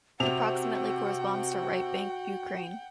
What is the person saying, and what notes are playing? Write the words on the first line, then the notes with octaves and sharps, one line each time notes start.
It approximately corresponds to Right-bank Ukraine.
C3 F#4 F#5 G5 F7